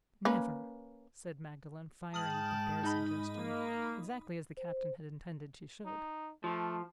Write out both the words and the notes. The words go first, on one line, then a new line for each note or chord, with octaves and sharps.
"Never!" said Magdalen, firing at the bare suggestion, exactly as the captain had intended she should.
A#3 C#4 B4
G#2 G#3 G#4 G5 A5 D#6 F6 F#7
D#4 D#5 B5
A#3
C5
D#4
F3 A3